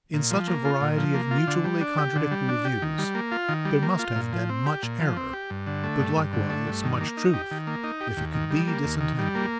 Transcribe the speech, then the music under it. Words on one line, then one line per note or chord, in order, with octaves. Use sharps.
In such a variety of mutually contradictory views there must have been much error, but likewise much truth if it could be disentangled.
A#2
F3
A#3
F4
A#2
F3
A#3
F4
D3
G3
D4
G4
D3
G3
D4
G4
D#3
G3
A#3
F4
D#3
G3
A#3
F4
A#2
F3
C4
G4
A#2
F3
C4
G4
G2
D3
A3
G2
G2
D3
A3
G2
D#3
A#3
D#4
G4
D#3
A#3
D#4
G4
D#2
D#3
G3
A#3
D#2
D#3
G3
A#3